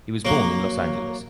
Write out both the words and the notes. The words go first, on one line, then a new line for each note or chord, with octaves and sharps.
He was born in Los Angeles.
F#3 A#3